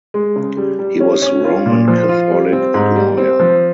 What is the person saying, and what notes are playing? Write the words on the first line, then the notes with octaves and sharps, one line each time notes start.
He was Roman Catholic and lawyer.
G#3
C#3
G3
G3
C#4
C#4
F4
A#2
F3
F4
G3
C4
G#2
G3
C4
F3